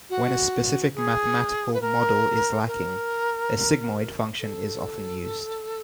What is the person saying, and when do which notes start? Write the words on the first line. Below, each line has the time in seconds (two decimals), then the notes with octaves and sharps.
When a specific mathematical model is lacking, a sigmoid function is often used.
0.10 F#4
0.95 G#4
1.74 B4
1.81 A#4
2.67 A#4
4.40 A4